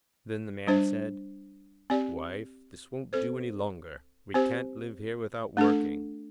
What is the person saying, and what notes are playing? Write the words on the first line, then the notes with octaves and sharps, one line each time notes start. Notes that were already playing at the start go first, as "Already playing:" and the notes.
Then the Man said: 'Wife, this won't do any longer; we can't live here without working.
G3 D4 C5
C4 G4 D5
C4 A4 C5
C4 G4 C5
A3 D4 A4